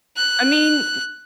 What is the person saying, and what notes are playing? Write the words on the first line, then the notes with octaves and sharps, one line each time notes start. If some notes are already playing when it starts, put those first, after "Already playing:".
I mean,
F#6